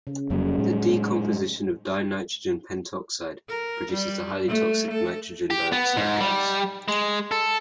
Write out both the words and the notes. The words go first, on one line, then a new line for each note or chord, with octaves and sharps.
The decomposition of dinitrogen pentoxide produces the highly toxic nitrogen dioxide gas.
C#3
F1 F2 C#3 F#3 G3 A#3
A2 G#3
A#4
G3
A3
A4
G4
B3
G#2
G3
G#3
A4